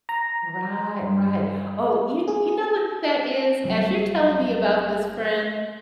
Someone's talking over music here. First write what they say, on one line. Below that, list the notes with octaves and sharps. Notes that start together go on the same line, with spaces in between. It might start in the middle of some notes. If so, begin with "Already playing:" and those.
Right, right. Oh, y you know what that is, as you're telling me about this friend,
A#5
G2
G#4
F#1 F#3 G3